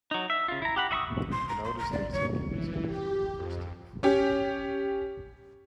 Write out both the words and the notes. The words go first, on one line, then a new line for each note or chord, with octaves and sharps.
I noticed that its occupants carefully reversed it before leaving it.
F#3 D#4
E5
C#3 F4
E4 A#5
G4 F#5 B5
F#4 E5 B5 C#6 D#6
C6
A#5
C6
A#5
D5
C#5
E3
G4
F2
C#4 G4